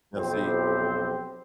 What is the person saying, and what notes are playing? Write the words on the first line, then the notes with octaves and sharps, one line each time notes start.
Now, see,
B1 F2 F3 C4 G4 C5